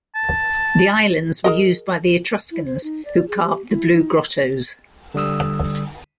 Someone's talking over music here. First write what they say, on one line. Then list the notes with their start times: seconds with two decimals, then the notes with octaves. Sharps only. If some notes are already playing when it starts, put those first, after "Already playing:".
The islands were used by the Etruscans who carved the "Blue Grottos".
0.15 A5
1.44 G#4 A#4 D#5
2.51 E4
2.66 C5
2.84 D#4
3.05 D5
3.28 G#4
3.43 G4
3.69 E4
3.93 D#4
5.14 D3 G3 D#6 E6